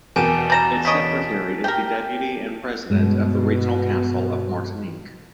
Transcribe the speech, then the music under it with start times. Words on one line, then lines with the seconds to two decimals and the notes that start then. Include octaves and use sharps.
Its secretary is the deputy and president of the Regional Council of Martinique.
0.16 E2 B2 G4 A#4 G#5 A5 E7
0.50 G3 A#5 A6 E7
0.85 C#3 C#4 D#5 B6 D7
1.64 G4 A#4 G5
2.90 G2 B2 G#3